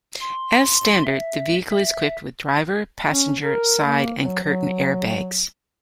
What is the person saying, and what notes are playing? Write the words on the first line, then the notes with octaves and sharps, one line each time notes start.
As standard, the vehicle is equipped with driver, passenger, side and curtain airbags.
C6
E5
E5
C#4
A#4
A#3
F#3
F#3